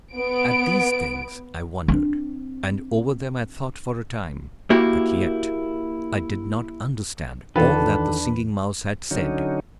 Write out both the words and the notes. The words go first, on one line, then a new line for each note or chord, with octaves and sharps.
At these things I wondered, and over them I thought for a time, but yet I did not understand all that the Singing Mouse had said.
B3 D7
C4 D4
A#3 E4 F#4 G4
F1 D#3 E3 D4 F4 A4 B4
E2
D3 F#3 C#4 D#4